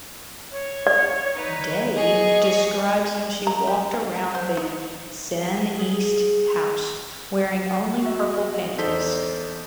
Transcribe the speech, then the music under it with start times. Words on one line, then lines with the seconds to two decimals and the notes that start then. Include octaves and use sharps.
"Dave" describes how she walked around the "Zen-East House" wearing only purple panties.
0.51 C#5
0.87 D5
1.36 D#4 B4
1.95 G#4 D#5 C#6
3.47 A#5
3.67 G4
3.94 D#3
4.16 A#5
4.35 C5
4.57 D#4
5.79 G#4
8.02 F#4 E5
8.78 E2 D#4 A4 C5 B6 G7